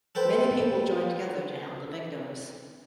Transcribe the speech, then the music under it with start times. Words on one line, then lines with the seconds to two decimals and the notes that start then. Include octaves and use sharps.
Many people joined together to help the victims.
0.15 A4 B4 C5 G5